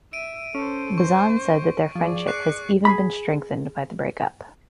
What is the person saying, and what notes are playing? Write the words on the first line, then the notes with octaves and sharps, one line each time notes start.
Bazan said that their friendship has even been strengthened by the breakup.
E5 D7 D#7
C#4 A4 C5
C5 C#6
F3 G#4 D5
C#6 F#6 C7 C#7
G#4 B5